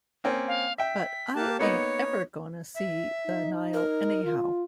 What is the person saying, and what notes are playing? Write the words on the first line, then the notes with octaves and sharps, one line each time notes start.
But I ain't ever gonna see the Nile anyhow.
A#3 C4 C#4
F5
E5 G5 B6
A#3 G4 A5 F#6
A#3 B3 D#4 C#5 C#7
E5
D#4
A#4
F4